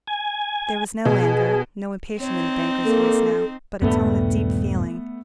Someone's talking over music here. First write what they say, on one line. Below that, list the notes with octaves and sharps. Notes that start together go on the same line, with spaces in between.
There was no anger, no impatience in the banker's voice now, but a tone of deep feeling.
G#5
B2 G#4
C4 D#4 C#5
A#3 A4
D#1 G2 G3 A3 B3